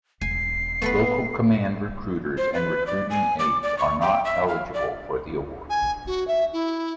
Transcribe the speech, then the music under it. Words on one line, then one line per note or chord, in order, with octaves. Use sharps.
Local command recruiters and recruiting aides are not eligible for the award.
E1 G#5 C7
A3 B3 A4 B4
C5
B4
D5
G#5
D6
D5
C#6
G5
E5
F5
D5
G#5
F#4
E5
E4